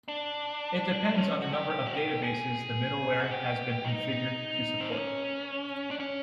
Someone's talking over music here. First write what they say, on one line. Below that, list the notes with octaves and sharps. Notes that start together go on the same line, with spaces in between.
It depends on the number of databases the middleware has been configured to support.
D4
C#4
F#4
G4
G4
F#4
G4
G#4
F#4
G4
D#4
C4
C#4
D4
C#4